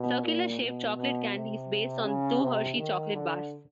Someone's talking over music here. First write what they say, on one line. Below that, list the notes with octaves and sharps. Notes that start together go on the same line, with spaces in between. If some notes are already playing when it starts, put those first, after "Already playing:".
Circular-shaped chocolate candies based on two Hershey chocolate bars.
Already playing: B2
A#2
B2
B2
C3
C#3
C3
D#3
D3